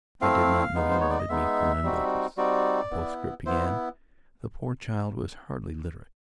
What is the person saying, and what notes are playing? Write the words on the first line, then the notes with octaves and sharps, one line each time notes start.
"I did not know you wanted me for an adulteress," the postscript began. The poor child was hardly literate.
A3 C4 E4 F5
G#3 B3 D#4
C5
C#5
D5
D#5
G#3 B3 D#4 E5
G3 C4 D#4 F#4
G3 C4 D#4 F#4 D5
B3 E4
B3 E4 C5